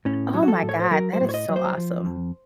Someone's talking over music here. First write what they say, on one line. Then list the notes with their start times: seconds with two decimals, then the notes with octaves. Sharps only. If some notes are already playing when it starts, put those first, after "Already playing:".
Oh my God, that is so awesome.
0.05 A2 C#4
0.34 F#3
0.43 F#4
0.48 A4
0.63 A2
0.69 C#5
0.80 C5
0.91 F#3 A#4
1.13 C5
1.21 A2
1.29 C#5
1.34 D#5
1.49 F#3
1.56 C5
1.78 F3
2.06 F2